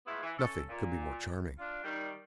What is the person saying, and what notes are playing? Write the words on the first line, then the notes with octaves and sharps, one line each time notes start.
Nothing could be more charming.
G#3 A3 B3 E4 F4
E3
C#4 A4
A#2
D4 F4
D#3 G3